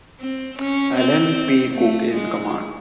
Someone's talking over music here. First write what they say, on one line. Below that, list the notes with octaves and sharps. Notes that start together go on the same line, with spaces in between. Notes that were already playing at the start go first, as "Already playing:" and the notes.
Allen P. Cook in command.
C4
C#4
C4
A3
G#3